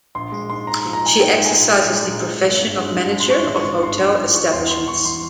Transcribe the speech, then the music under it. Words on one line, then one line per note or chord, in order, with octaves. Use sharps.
She exercises the profession of manager of hotel establishments.
A#1 C6
G#3
G#2 C6
G#2 A#5
A#5
F3
A#5
G#2 G#5
G#2 G5
G#3
G#5
A#1
G#3
G#3
A#1
G#3
G#1
G2
G#3
G2
G#3
C6
G#3 C#6
G#1
C#6
G#1
C#6
G2 C6
F3
G#3
E3 C#6
E2 C6
E3 C6
E2 C#6
E3 C6